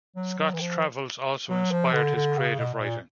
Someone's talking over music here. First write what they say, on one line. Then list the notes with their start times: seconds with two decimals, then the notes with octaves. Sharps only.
Scott's travels also inspired his creative writing.
0.16 F#3
0.38 F#3
0.53 E3
0.60 F3
1.49 F#3
1.71 F3
1.92 D3
2.15 D3
2.37 C#3
2.59 B2
2.74 B2
2.81 A#2